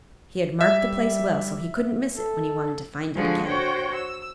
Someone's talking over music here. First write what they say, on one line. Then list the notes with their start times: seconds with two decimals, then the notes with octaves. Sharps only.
He had marked the place well, so he couldn't miss it when he wanted to find it again.
0.61 G3 E5
2.16 A4
3.14 D3 F3 G#3 F#4 G#5
3.46 F#4 C5 C#5 G5
3.96 E6